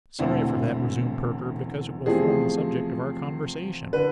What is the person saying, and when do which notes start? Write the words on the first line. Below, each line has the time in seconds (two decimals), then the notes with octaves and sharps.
'Sorry for that,' resumed Perker, 'because it will form the subject of our conversation.'
0.19 E1 E2 D3 A3 C4 E4
2.06 E2 C3 F3 A3 C4 G#4
3.93 D3 B4